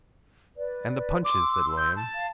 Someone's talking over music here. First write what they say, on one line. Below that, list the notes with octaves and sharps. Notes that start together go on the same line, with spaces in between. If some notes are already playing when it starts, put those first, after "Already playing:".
'And the Punches,' said William.
B4 D5
C6 D6 E6
G6
A5
F5